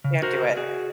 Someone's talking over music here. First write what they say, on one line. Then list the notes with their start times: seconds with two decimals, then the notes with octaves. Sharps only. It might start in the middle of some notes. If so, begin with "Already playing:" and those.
Can't do it.
0.04 C#3
0.22 F#4 A#4 C5
0.57 F#4 G#4